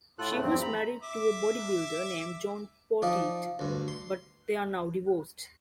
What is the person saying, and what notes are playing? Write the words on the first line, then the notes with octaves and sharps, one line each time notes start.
She was married to a bodybuilder named John Poteat, but they are now divorced.
A2 F4 A4 F#6
A2 C#3 A3
E2 G2 F3 C4
A#5 B5
E5 D6
F3 D#4 D5 F5
D2 G2
C6